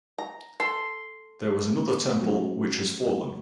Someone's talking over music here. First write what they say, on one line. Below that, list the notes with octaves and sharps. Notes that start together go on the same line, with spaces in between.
There was another temple which has fallen.
A#5
A4 C6
F#3 A3 C#4 F#4